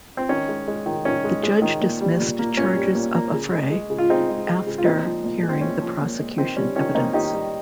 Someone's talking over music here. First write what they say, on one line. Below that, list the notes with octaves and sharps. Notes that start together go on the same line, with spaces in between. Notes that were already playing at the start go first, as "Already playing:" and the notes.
The judge dismissed charges of affray after hearing the prosecution evidence.
C4
D#3 C#4
G#3
G#3
D#3
D#3 C#4
G#3
G#3
D#3
A#2
G3
A#2
A#3
A#2 C#4
G3
A#2
A#3
C#3
G#3
G#3
C#3
F4
C#3 C4 D#4
G#3
G#3
C#3
F4
A#2 C4 D#4
F3
A#2
G#3
C4
A#2 C#4
F3
A#2
G#3
D#3 C4
G3 C#4
D#3 C#4
A#3 C4 D#4
D#3 D#4 G4
G3